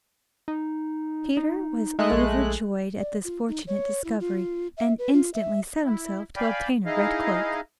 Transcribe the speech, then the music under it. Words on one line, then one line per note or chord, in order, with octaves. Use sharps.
Peter was overjoyed at this fortunate discovery, and instantly set himself to obtain a red cloak.
D#4
D#4
G#3 A3 D#4 F#6
A#1
D5
F4
D#4
C#5
E4
F4
E5
B4
F4
E5
E4
D5 F5 G5 G#5 B5
D#4 E4 G#4 D#5 F5